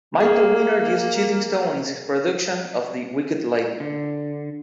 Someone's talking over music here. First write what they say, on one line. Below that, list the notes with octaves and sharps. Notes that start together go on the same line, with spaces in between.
Michael Winner used Chiddingstone in his production of 'The Wicked Lady'.
A#3 G#4
D3